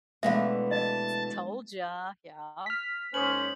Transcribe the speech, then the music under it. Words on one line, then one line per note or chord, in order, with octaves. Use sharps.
Yes. "Told ya." Yeah.
B2 E3 G#3 A3 B3 D4 E5 F5
D#5 A5
F6 B6
G#2 A#3 C#4 C5 D#6 F#7